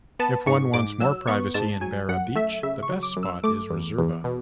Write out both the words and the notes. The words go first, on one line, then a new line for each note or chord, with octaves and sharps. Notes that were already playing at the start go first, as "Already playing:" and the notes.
If one wants more privacy in Barra beach, the best spot is Reserva.
B3 A5
G#2 C#6
G#2 D6
F#3 E6
B3 C#6
G#2 A5
F#3 G#5
F#2 F#5
A3 E5
C#3 E5
C#6
F#3
D6
F#2
E6
A3 D6
E2
E2
B2